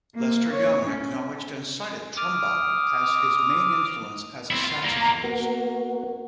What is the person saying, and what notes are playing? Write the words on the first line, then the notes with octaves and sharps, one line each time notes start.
Lester Young acknowledged and cited Trumbauer as his main influence as a saxophonist.
A#3
C#5
C#4
D6 D#6 F6
C4 E4
F4
E2 A#3
A#5
A#3 B3 F#4